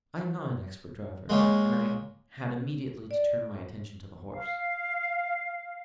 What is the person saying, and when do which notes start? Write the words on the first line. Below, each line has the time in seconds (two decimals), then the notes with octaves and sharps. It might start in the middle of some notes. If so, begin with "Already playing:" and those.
I am not an expert driver, and I had immediately to turn my attention to the horse.
1.29 G#3 A#3 C#4 G4
3.11 D5
4.32 F5